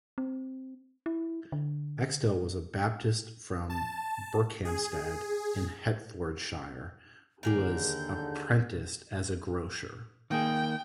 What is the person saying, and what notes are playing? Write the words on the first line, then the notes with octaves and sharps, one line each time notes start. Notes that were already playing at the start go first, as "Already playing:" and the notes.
Axtell was a Baptist from Berkhamsted in Hertfordshire, who was apprenticed as a grocer.
C4
E4
D3
A5
G#4
D#2 D3 G4 G#4 A#4 G6
D#3 A#3 G#4 G5